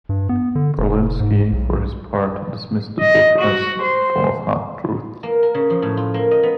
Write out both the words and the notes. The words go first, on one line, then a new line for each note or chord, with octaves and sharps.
Berlinsky, for his part, dismissed the book as "full of half truths".
G2
B3
D3
F1
G#2
B1
D#5
F#4
C5
A#3
A#4
C#3
F3
A2
F4
A#3
D#5
B3